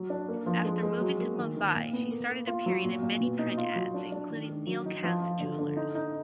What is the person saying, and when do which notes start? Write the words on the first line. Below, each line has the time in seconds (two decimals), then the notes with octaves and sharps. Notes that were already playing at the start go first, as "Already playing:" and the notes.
After moving to Mumbai she started appearing in many print ads including Neelkanth Jewellers.
Already playing: F#3
0.10 D4
0.28 A#3
0.46 F3
0.65 G#3
0.83 G#3
1.01 F#3
1.20 A#3
1.38 D#3
1.56 D#3
1.75 A#2
1.93 B3
2.11 A#3
2.30 A#3
2.47 F4
2.66 F#3
2.84 A#2
3.03 A#2
3.21 B2
3.39 D#4
3.58 F4
3.75 F#3
3.94 D4
4.12 D4
4.30 D#3
4.49 D#3
4.67 F#3
4.86 D#4
5.04 F3
5.22 F4
5.40 D3
5.59 D3
5.77 D#4
5.95 D#4